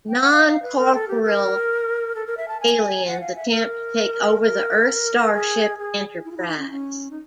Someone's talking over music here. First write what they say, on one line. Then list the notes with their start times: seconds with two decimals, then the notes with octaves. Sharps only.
Non-corporeal aliens attempt to take over the Earth starship "Enterprise".
0.09 G5
0.20 F#5
0.32 F5
0.47 F5
0.63 B4
0.78 A#4
0.94 A4
1.08 G4
1.23 A#4
2.15 A4
2.26 A#4
2.37 E5
2.48 A5
2.60 G#5
3.06 F#5
3.21 F5
3.36 E5
3.51 A#4
4.42 A#4
5.34 G#4
5.79 G#4
6.25 E4
6.31 F4
6.36 E4
6.48 D#4
6.58 C#4
6.70 C#4
7.10 D#4